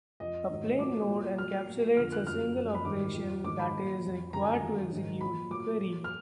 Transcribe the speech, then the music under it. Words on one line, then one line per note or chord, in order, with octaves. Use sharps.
A plan node encapsulates a single operation that is required to execute the query.
F2 F3 D#5
G#2 D#3 F#3
A#2 F#3 D6
A#2 F#3
A#2 F#3 F6
A#2 F#3
F2 D3 F3 F6
F#6
F#2 F3 F6
F#2 F3
B5
G#2 D#3 F#3 D6
F2 F3
G#2 D#3 F#3 D6
B5
A#2 F3
F2 F3
F#2 D3 F3 A#5
G#5
A#5
F#2 D#3 F#3
G#2 D#3 F#3
A#2 F3 B5
A#2 F#3 D6
A#2 F#3
F6